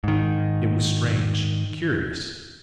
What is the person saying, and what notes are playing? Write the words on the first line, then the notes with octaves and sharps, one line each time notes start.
It was strange, curious!
G#2 D#3